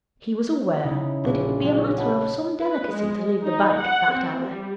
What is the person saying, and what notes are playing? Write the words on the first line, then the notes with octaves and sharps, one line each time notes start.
He was aware that it would be a matter of some delicacy to leave the bank at that hour.
C#3 D#4 E4
A#1
F#3 G#3 C4 F#4 G#4
D4 D#4 C#5
D#5 F#5 A5 B5
B4
G#3
D#4
F#5
C4
G3